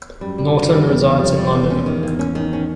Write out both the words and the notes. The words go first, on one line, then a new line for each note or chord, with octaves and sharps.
Norton resides in London.
F#2 G3
G3
G3
G3
E2 G3
G3
F2 G3
G3
E2 A#3
C#4
D#3
A#3
C#4
D#3
C#4